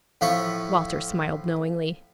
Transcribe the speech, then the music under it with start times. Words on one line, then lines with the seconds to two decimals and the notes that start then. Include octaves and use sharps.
Walter smiled knowingly.
0.21 A2 F3 F4 E5 C#6